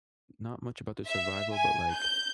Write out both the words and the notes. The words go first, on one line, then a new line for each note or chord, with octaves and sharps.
not much about the survival, but, like,
E5
G#5
G6